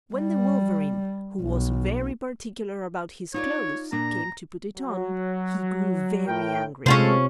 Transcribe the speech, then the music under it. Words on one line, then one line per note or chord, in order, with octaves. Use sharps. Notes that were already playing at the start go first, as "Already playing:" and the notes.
When the wolverine, who was very particular about his clothes, came to put it on, he grew very angry.
G3
B1
D#4 F4 C#5 D5
A#2 D4 A#5
F#3
A2 A#4 G5
C3 G#3 C#4 F4 A4 C5